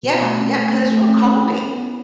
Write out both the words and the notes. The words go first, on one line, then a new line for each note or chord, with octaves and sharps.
Yeah, yeah. 'Cause it's real calming,
B2
A3
C#4
A3
A3
A3
C#4
C#4
E4
B3